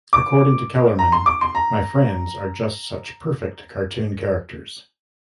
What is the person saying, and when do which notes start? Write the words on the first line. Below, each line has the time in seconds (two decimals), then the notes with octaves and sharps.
According to Kellerman, My friends are just such perfect cartoon characters.
0.13 D6
0.99 A#5
1.12 C6
1.26 D6
1.41 C6
1.55 A#5